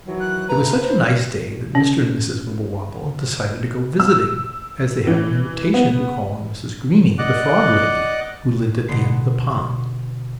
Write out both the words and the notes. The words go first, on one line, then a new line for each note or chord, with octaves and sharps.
It was such a nice day that Mr. and Mrs. Wibblewobble decided to go visiting, as they had an invitation to call on Mrs. Greenie, the frog lady who lived at the end of the pond.
D#3 E3 F#3
F#6
A3 A4 B4 A#5
C5
C#4
E6
E3
B3
D5 D#5 F#5 D6 F#6
B2 D3 C6 C7